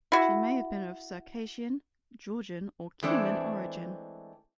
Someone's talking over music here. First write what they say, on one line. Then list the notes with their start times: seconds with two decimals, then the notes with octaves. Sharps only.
She may have been of Circassian, Georgian, or Cuman origin.
0.12 E4 F#4
3.03 E3 G#3 A3 C4 D4